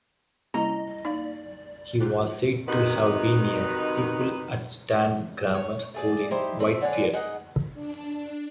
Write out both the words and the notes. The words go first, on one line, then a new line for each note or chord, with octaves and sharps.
He was said to have been a pupil at Stand Grammar School in Whitefield.
C3 G3 A#3 C#4 E4 D#5 A#5
A#3 D#4 D5 F5
G#2 F4 G4 F#6
C3 D#3 D#4 F#4 B4
C#5
A3 G#4 D5
D#4 E4 G4 C5
A3 C4 D#5 E5
D3 F#3 D4 G#5
D#4 G#4 D#5 F#5
D4